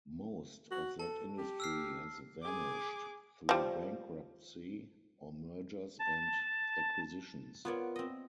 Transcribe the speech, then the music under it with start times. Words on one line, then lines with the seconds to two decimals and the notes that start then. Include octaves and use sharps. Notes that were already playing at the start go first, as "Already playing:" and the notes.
Most of that industry has vanished through bankruptcy or mergers and acquisitions.
0.71 F#4
1.00 A4 A5
1.38 G4
1.60 E6 F6 C7
2.42 G#4 D6
3.49 F3 G3
6.00 A5
7.65 B3 F4 A#4 B4 C#5 D5
7.96 C4 D#5